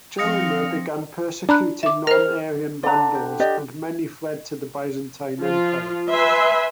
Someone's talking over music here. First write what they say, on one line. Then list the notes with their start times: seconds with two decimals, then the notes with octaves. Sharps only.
Gelimer began persecuting non Arian Vandals, and many fled to the Byzantine Empire.
0.19 F3 C4 F5 D#6 A#6 C#7
1.49 D4 A#5 B5 F#6
1.83 E5 D6
2.07 A#4 C5 F6
2.83 D3 B4 D5 A#5
3.15 G5
3.40 G4 D5 D#5
5.41 F3 F4
6.10 B4 E5 G#5 C6